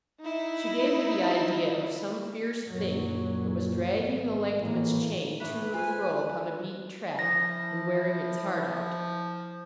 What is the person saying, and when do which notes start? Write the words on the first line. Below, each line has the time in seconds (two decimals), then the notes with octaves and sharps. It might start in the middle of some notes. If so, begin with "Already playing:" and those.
She gave me the idea of some fierce thing, that was dragging the length of its chain to and fro upon a beaten track, and wearing its heart out.
0.20 D#4 E4
2.67 F#2 A#2 F#3
3.87 G#1
4.57 A2 E3 A#3
5.40 A2 E3 B4 E5
5.74 F4 C5 G#5
7.19 F3 E4 A#6